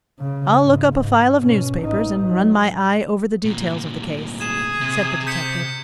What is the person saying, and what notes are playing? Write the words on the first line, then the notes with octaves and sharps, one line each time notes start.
"I'll look up a file of newspapers, and run my eye over the details of the case," said the detective.
C#3
G#2
G#2
B2 C#4
A1 D#4
F#3
D2 A#2
G#4 E7
C3
G6 B6 C#7